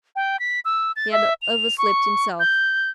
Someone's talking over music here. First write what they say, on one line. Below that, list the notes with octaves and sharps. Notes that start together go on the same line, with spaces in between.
He had overslept himself!
G5
B6
E6
A6
E5
F7
C#6
G6